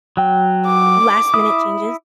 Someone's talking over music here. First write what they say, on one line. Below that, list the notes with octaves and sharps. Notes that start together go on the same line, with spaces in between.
last minute changes,
F#3 G5
D6
E4 D#6